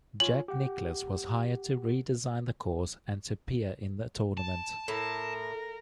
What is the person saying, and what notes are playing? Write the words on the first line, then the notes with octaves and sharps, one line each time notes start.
Jack Nicklaus was hired to redesign the course and to appear in the tournament.
F4 C#5 G#5 F#7
G4 F#5
A5
A2 A#4